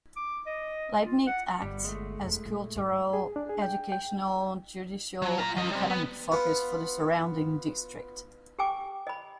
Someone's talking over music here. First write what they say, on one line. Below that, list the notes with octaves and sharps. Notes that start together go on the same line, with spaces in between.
Leibnitz acts as a cultural, educational, judicial and economic focus for the surrounding district.
D6
D#5
F4
F#5
G1 G3
G#3 A3
E1
A#2
G2
G#4
D4
G#4
G5
G5
F#3
F4 A#5
F3 D#5
G3 C4
B3
B3 F4
G4 G5 G#5 D6
D#5 B5